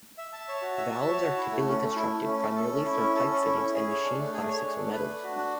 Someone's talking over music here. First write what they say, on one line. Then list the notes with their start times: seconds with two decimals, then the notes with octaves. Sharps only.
Valves are typically constructed primarily from pipe fittings and machined plastics or metals.
0.18 E5
0.33 A5
0.48 C#5
0.62 F#4
0.78 E5
0.92 A5
1.08 C#5
1.21 F#4
1.37 E4
1.52 A3
1.67 C#4
1.82 A3
1.96 E4
2.11 A3
2.26 C#4
2.41 A3
2.55 A4
2.70 C#4
2.85 E4
3.01 C#4
3.15 A4
3.30 C#4
3.45 E4
3.59 C#4
3.75 G#4
3.89 C#5
4.04 D4
4.19 A3
4.34 G#4
4.49 C#5
4.63 D4
4.78 A3
4.93 B4
5.08 D4
5.23 F#4
5.37 D4